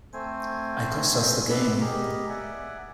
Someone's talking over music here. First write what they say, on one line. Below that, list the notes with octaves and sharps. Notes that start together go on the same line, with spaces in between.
I cost us the game.
A3 C4 C5 G#5
B3 B4 D5 E5
G4 G#4 A#4 D#5
D5 E5 F#5 G#5